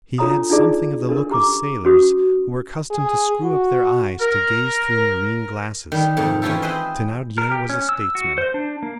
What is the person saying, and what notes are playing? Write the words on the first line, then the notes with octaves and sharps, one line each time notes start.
He had something of the look of sailors, who are accustomed to screw up their eyes to gaze through marine glasses. Thenardier was a statesman.
D4 F4 A4 C#5 A#5 D#6
D4 D#4 F4 G#4 D5
D4 A4 A#4
C#4 G4 A#5 C#6 D6
C#4 F#4 D#6
G#4
F#4
A#4
D#3 G3
F2 G#2 C3 A#3
E3 C#4 E4 F4 G4 A4
C4 G#4 B4 C5 D#5
A#4
G4
C#4
E6
F#4
C5
D4
A#3